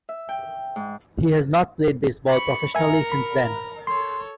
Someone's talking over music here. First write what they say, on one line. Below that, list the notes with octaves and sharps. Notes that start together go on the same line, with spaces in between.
He has not played baseball professionally since then.
E5
G5
G#2
B5 C#6 C#7
A#4 E5 G#5 A#5 C#7
B5
A#5
A4 C#5 C6